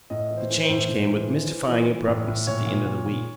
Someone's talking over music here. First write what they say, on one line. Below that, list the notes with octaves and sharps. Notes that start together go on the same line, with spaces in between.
The change came with mystifying abruptness at the end of the week.
A2 D#5
E3
C5
E3
C5
A2
A2
E3
E3
E3
E3
E3
A2
A2
A#2 C#5
A#2
A#2
A#2